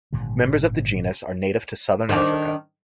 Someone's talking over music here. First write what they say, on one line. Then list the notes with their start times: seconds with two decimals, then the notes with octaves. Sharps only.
Members of the genus are native to southern Africa.
0.13 G#1 A#2 D3 G3
2.09 D#3 D4